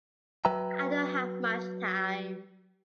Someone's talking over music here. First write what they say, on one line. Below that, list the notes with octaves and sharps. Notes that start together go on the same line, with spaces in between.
I don’t have much time.
F#3 B4 E5 G5 A#5